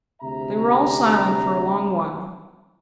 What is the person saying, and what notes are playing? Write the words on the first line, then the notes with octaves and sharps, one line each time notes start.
They were all silent for a long while.
D2 C3 G#4 E5 A#5